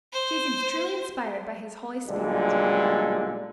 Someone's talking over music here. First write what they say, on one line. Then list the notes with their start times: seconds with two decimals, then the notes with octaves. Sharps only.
She seems truly inspired by His Holy Spirit.
0.13 C5
2.07 B1 A#2 D3 G3 G#3